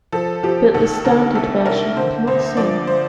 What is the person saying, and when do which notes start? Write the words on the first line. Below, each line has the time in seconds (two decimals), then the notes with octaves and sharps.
But the standard version cannot sing.
0.12 F3 A4
0.43 F3 G4
0.74 D#2 A4
0.93 A4
1.04 D3 A#4
1.35 C2 A4
1.66 C2 A#4
1.96 D3 C5
2.27 D2 C5
2.57 F3 D5
2.87 C5